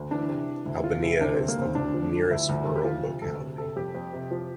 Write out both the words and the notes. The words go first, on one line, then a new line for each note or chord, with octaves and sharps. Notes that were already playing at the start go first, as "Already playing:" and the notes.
Albaniya is the nearest rural locality.
Already playing: D2
E3 D4
C3
E3
D2 E4
E4
C3 F4
C3 E4
E4
D2 D4
C3 C4
A#3
D2 C4
D2 D4
F3
F3
D2 E4
D2
D2 A4
G4
F3 F4
C3
D2 A4
C3
C3 A4
F2 G4
F2
C3
F3